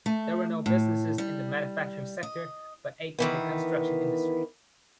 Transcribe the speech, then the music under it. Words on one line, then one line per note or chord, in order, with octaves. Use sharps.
There were no businesses in the manufacturing sector, but eight in the construction industry.
A3
A2
G3
D#5
D#3 E3 B3